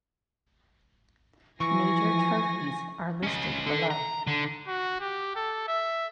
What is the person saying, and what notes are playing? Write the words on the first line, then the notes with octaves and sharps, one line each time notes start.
Major trophies are listed below.
E3 F3 G#5 C#6 A#6
C#4 D#5
D3 A4
A#5
D3
F#4
G4
A4
E5